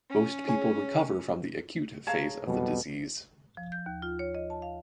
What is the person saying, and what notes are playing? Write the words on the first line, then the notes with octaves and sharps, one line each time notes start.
Most people recover from the acute phase of the disease.
C#4
G#4 C#5 G#5
G#4 C#5 F5 A5 A#5
F2 B2 F#3 G3
F3
G6
D#2
F4
C#5
D#5
A5
F5